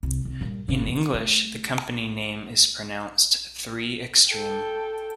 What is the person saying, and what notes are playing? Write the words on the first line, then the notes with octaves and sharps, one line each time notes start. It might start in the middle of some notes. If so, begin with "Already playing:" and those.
In English the company name is pronounced "Three-Extreme".
C2
C2
G2 A#2
G#1 C#3
E3
A3
A4 G5